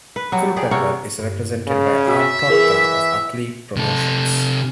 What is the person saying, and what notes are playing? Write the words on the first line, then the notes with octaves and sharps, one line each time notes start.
Culpepper is represented by R. Totka of Athlete Promotions.
B4
F#3 F#4 G4
G4 G#4 D5
C3 A#3 F#4 C#5
G2
C#3
F#4 E5
E3 G#4 A#4
C3 A4